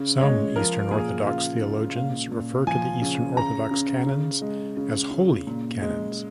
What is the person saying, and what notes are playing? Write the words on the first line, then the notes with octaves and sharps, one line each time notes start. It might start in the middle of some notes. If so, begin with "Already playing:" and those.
Some Eastern Orthodox theologians refer to the Eastern Orthodox canons as "holy canons".
Already playing: C#3
G#3 C#5
F3 A#4
A#2 G#4
C#3 F4
C#3
A#2 F5
A#2
F3 G#5
C#3
C#3 A#5
C#3
C#3
G#3
C#3
C#3
A#2
G#3